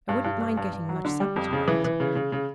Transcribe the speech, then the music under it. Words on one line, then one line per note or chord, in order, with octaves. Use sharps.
I wouldn't mind getting much supper tonight.
G2
G2
G2
G2
G2
F#3
D3
G3
F2
C#3
E3
E3
C#3
C#3
C#3